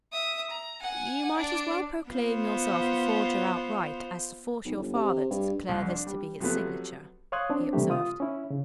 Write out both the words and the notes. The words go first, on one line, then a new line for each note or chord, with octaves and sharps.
"You might as well proclaim yourself a forger outright, as to force your father to declare this to be his signature," he observed.
E5 D#6
A#5
F#5 G#5
D4 D5
B3 F4 C5
B1
G1
C3
G2
C2 F2
D4
G3
C3 F3 F#3 A3 B3
C#5 F5 C6 D#6 F#6 G#6
C4 D4
C3 E3 G3 A3 G4
F4 D#6
C#4 E4
C#3